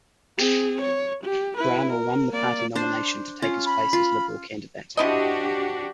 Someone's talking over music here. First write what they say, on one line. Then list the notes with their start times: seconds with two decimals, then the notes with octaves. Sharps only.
Brownell won the party nomination to take his place as Liberal candidate.
0.38 C4 G#4
0.81 C#5
1.24 G4
1.57 E4 B4
1.90 A#4
2.30 A#3 D5
2.75 D4 C5
3.42 C#4 F4
3.66 B5
3.93 F4
4.97 F3 D4 E4 F#4 G4 D#5